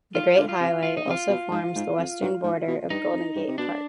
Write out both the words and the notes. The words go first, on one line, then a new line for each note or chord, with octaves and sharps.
The Great Highway also forms the western border of Golden Gate Park.
D#3 F4
D3
F4
C3
F4
D#4
C3
F4
B2
G#2
G#2
F2
G2
G#2
B2
G2 D#4
F2
G2
C3
B2 D4